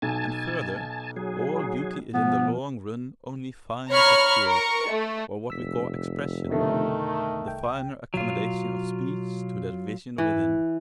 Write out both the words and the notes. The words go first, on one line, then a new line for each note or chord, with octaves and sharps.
And further, all beauty is in the long run only fineness of truth, or what we call expression, the finer accommodation of speech to that vision within.
B1 G#5 A5
F#3 G#4
B2 F3 B3
C#5 A#5 B5 C#6 F6
A#4 C#6
A3
F1 E6 B6
F2 B2 D3 D#3 A3
C2 G5
B2 F#3 F4
G#2 E3